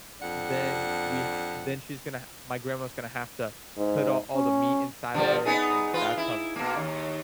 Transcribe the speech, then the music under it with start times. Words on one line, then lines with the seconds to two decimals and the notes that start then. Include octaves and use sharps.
Then we ha then she's gonna ha my grandma's gonna have to put on all the meat inside of it and that's a
0.21 F2 D4 F#5
3.78 G#2
4.35 C#4
5.14 D3 F3 G3
5.45 B3 D#4 G#4
5.94 F4 B4
6.17 E4
6.56 B2 A#3
6.76 D#2